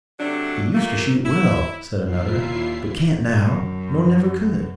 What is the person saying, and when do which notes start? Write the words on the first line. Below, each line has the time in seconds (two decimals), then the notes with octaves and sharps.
"He used to shoot well," said another; "but can't now, nor never could."
0.19 C3 F#3 A3 D4
0.74 A#2 A3 A#3
1.25 E4
2.04 D#2 A#2 E4 F4 E5 C7
3.41 F#2